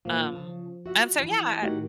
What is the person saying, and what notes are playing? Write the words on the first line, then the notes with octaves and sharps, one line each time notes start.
Um, and so, yeah, ah,
A#2 F3 A#3
C#3 A5
F#4 E5
E3 E4
A2 D#3 F#4 G4 A#4